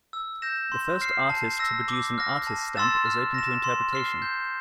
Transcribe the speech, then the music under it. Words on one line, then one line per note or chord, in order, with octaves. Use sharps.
The first artist to produce an "artist's stamp" is open to interpretation.
E6
G6 A#6 E7
C6
F6 C7
A5
E6 A#6
D6
F6 A#6
A5
C6 E6 A6 E7
F6
A#6 E7
C6
F6 C7 G7
G6